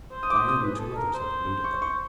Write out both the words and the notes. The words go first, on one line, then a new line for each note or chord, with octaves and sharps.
Dian and two others had eluded them.
C5
D#6
D6
D#6
D#6
B4
G#4
A4
A#4
C5
C#6
C#6